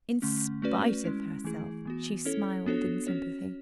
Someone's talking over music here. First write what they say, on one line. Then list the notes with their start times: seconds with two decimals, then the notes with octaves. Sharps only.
In spite of herself, she smiled in sympathy.
0.22 D3 A3 C#4
0.62 A3 C#4 F#4 B4 D5
1.04 G#3 C#4 E4
1.44 E3 A3 E4 G#4
1.85 E3 B3 F#4
2.25 C#4 E4 A4 C#5
2.66 B3 D4 F#4 A4 C#5
3.07 C#4 F#4 C#5